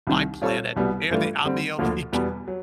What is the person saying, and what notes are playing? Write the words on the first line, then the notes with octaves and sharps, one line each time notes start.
my planet, they're the I'm the only
C2 C3 D#3
G3 C4 F4 A4 C#5
C2 B2 G3 B3
G2 E3 A3 D4 F4
D3 G3 C4
D2 D3 F3 A#3
E2 B2 G3 B3
F#3